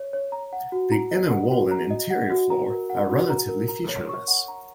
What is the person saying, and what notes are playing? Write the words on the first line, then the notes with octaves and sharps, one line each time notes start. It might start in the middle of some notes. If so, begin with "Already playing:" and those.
The inner wall and interior floor are relatively featureless.
Already playing: C#5
C#5
A#5
F#5
F#4
A#5
D#5
F#5
F#4
A#5
D#5
F#5
F#4
A#5
A#4
F#5
F#4
A#5
A#4
A#5
C#5
C#6
F#5
A#5